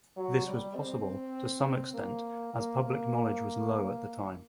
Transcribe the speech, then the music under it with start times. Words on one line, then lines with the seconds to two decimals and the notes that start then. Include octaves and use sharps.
This was possible to some extent as public knowledge was low at the time.
0.17 F#3
0.46 G3
0.75 C4
1.94 A#3
2.53 A#3
2.84 A#3